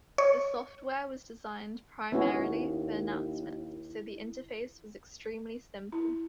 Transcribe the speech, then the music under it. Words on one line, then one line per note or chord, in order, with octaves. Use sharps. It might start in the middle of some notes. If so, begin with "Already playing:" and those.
The software was designed primarily for announcements, so the interface was extremely simple.
C#5
D#2 B3 C#4 E4 F#4
E4